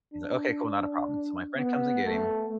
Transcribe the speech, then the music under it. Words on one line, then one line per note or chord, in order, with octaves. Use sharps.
He's like, "Okay, cool, not a problem." So my friend comes and get him,
D4
B3
A3